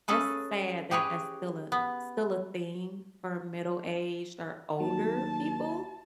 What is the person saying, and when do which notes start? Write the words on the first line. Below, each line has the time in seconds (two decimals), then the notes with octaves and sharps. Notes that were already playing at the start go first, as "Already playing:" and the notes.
That's sad that that's still a still a thing for middle-aged or older people.
0.08 C#4 G#4 A4 B4
0.91 G4 G#4 B4 C#5
1.72 B3
4.80 D#2 F#3 A5